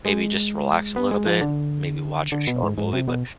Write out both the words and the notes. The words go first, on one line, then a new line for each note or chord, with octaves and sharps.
maybe just relax a little bit, maybe watch a show or movie. But
G#3
B3
G#3
F3
D3
D3
B2
G#2
G#2
C3
B2